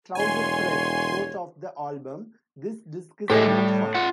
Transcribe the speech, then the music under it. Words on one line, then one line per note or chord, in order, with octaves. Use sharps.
"Trouser Press" wrote of the album: "This disc is no fun".
E1 C#5 G#5 C6
A2 A3 G4 G#4 D#5
G3
F4 F#5